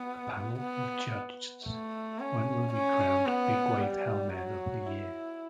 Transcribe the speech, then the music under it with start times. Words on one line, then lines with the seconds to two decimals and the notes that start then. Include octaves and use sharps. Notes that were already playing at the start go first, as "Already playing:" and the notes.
A panel of judgeds, one will be crowned "Big Wave Hellmen of the Year".
Already playing: B3
0.59 B3
1.65 A3
2.19 C#4
2.73 C#4
3.26 B3
3.80 G3
4.33 F#3
4.86 E4